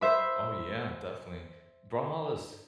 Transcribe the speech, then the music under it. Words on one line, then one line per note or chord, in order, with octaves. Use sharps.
Oh yeah, definitely. Brawlhalla is
C5 E5 B5